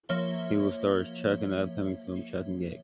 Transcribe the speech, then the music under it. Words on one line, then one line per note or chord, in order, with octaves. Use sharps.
He will star as Chuk in the upcoming film "Chuk and Gek".
F3 A#3 C#5 E5 G7